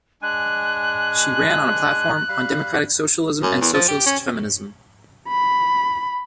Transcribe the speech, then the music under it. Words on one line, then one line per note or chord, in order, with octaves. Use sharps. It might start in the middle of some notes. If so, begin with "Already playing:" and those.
She ran on a platform on democratic socialism and socialist feminism.
G#3 D4 G#5 F#6
G3 F5 B5
F#2
E2
F3
G4
C#4
B5